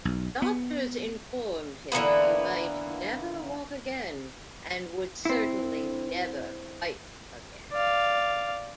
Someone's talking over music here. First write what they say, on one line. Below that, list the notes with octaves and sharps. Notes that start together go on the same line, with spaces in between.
Doctors informed him he might never walk again and would certainly never fight again.
B1
B3
D3 E3 A#3 B3
C4 E4
D5 F5